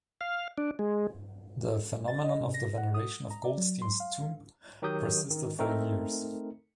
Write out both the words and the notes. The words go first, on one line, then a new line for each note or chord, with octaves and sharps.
The phenomenon of the veneration of Goldstein's tomb persisted for years.
F5
D4
G#3
A6
D#5
C3
A#6
F#5
D#6
A#5
D5
F#3
C6
F5
D#3 F#3 G4 A#4 D#6 G6
D#3
A3 C4 D#4 A4 A#4